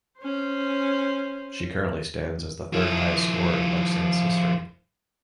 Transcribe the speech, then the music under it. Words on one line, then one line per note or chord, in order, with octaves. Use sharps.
She currently stands as the third highest scorer in Leksands history.
C#4 C5
F3 E4